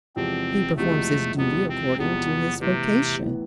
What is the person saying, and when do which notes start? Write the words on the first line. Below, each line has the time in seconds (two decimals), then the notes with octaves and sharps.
He performs his duty according to his vocation.
0.16 E2 C3 F3 G#3 C4
0.77 E2 C3 F3 G#3 A3
1.37 E2 C3 F3 G#3 B3
1.69 C4
1.99 E2 C3 F3 G#3 B3
2.60 A2 C3 E3 B3
3.22 A2 E3 B3